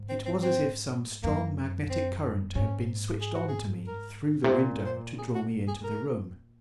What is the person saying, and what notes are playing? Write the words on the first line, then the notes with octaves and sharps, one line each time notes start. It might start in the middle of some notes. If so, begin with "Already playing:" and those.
It was as if some strong magnetic current had been switched on to me through the window to draw me into the room.
Already playing: G#2
C4
C4
C4
F#2 A#3
C4
G#2 C#4
G#4
F#4
G#4
A#4
C3
A#2 C5
C5
G#4
F#4
G#4
A#4